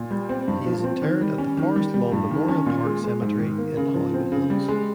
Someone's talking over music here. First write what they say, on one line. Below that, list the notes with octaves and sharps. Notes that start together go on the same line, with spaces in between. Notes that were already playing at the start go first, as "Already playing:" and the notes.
He is interred at the Forest Lawn Memorial Park Cemetery in Hollywood Hills.
Already playing: A#2
G3
C4
G2
F3
C4
D#3
G3
C#4
D#3
G3
G3
G2
D#3
C#4
A#2
G#3
G#3
G#2
D#3
A#3
C#3
F3
C4
C#3
G3
G#3